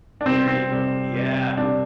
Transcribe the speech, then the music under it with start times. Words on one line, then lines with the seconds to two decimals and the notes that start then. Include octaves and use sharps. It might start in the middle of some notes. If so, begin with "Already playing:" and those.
There you go, yeah.
0.21 D4
0.26 C3 G3 C4
0.47 C4
0.69 C3 G3
1.13 C3 G3
1.57 C3 G3 D4